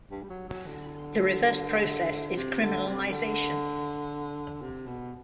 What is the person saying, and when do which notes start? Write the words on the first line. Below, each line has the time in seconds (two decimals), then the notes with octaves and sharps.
The reverse process is criminalization.
0.11 G2
0.23 G3
0.30 F#3
0.48 F#3
0.67 D3
2.36 C3
2.62 D3
2.87 C3
3.11 D3
4.62 C3
4.86 B2